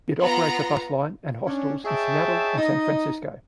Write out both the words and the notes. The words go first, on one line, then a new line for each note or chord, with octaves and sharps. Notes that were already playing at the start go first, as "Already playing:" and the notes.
It operates a bus line, and hostels in Seattle and San Francisco.
B3 F4 A#5
C#4 D4
G#4 C#5 D#5 E5 G5 A5
D#4 D#5